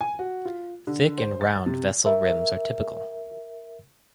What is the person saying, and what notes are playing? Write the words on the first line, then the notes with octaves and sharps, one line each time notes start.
Thick and round vessel rims are typical.
G#5
F#4
F4
D3
C5
A6
C3
A#4 E5